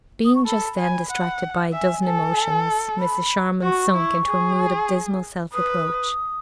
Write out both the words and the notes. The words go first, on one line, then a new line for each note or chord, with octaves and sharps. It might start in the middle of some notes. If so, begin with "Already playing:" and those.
Being just then distracted by a dozen emotions, Mrs. Charmond sunk into a mood of dismal self-reproach.
D#6
C#6
A4 B5
G#5
F#5
E5 G#5
A4
B5
F#4 C#6
E4
G#4
B4 D#6